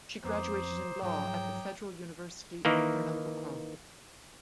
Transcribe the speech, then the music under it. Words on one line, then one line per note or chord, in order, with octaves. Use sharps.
She graduated in Law at the Federal University of Pernambuco.
F2 B3 C5 A#5 D6 D#6
G#2 F3 F#3 G#3 G5
D#3 E3 A#3